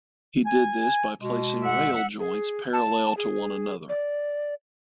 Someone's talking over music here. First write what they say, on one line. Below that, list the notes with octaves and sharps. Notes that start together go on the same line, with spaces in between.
He did this by placing rail joints parallel to one another.
G#5
B2 G#3
E5 F#5
G#4
A5
G#4
D5